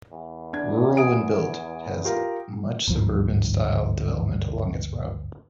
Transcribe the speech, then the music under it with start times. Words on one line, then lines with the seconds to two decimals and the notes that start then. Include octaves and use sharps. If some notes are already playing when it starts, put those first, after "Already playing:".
Rural when built, it has much suburban-style development along its route.
0.12 E2
0.53 D4 G#6
0.97 G#5 D#6 D7
2.05 F4 G4 A#4
2.88 G1 D2 G#2 F3